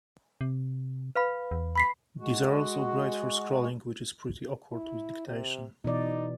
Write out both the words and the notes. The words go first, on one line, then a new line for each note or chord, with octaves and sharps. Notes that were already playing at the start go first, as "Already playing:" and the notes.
These are also great for scrolling, which is pretty awkward with dictation.
C3
B4 F5 B5
E2
B5 B6 C7
G#3 F#4
E4
C3
B2 E3 D#4 D5